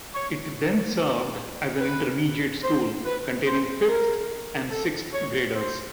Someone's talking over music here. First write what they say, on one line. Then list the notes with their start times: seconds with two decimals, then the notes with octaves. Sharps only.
It then served as an Intermediate School, containing fifth and sixth graders.
0.14 C#5
1.80 B4
2.63 C5
3.05 B4
3.46 C5
3.88 A#4
4.70 A4
5.13 C#5
5.54 C5